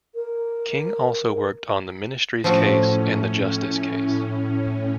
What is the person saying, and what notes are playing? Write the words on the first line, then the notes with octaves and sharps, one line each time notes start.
King also worked on the Ministries Case and the Justice Case.
A#4
A2 F3 A3 C#4 F#4